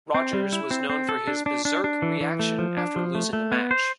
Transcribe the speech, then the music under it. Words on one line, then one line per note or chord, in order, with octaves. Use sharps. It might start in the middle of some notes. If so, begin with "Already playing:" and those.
Rogers was known for his berserk reaction after losing a match.
C4
G3
E4
C4
C4
A4
D4
D4
D4
D4
E3
E3
A3
F3
D4
F3
A3
A3
B3
C5